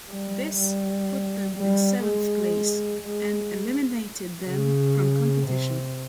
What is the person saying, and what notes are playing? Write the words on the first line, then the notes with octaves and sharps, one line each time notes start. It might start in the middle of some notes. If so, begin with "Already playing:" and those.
This put them in seventh place and eliminated them from competition.
G3
G3
G3
G#3
G#3
C#3
C3